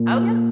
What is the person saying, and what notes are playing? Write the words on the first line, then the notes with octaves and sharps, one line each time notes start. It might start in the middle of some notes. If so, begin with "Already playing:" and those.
Oh, yeah.
Already playing: A#2 A#3